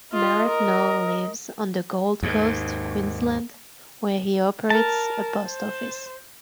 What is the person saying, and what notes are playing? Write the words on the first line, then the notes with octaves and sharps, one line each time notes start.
Merrett now lives on the Gold Coast, Queensland, where he operates a post office.
F4 D#5
A#4
D#2 G#2
A#4 A5
C5